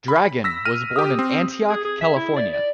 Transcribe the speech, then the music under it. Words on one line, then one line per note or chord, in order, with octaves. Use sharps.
Dragon was born in Antioch, California.
B5
E6 A#6 B6
F6 D#7
G4 D#6
C4
G#4
G#4
E5
E4
D5
D5